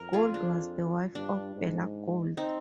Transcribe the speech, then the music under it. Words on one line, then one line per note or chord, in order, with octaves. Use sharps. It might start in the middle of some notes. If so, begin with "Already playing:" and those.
Gold was the wife of Bela Gold.
Already playing: F2 A#4
F4 G#4
D4
G2 D4
G#2
C4 D#4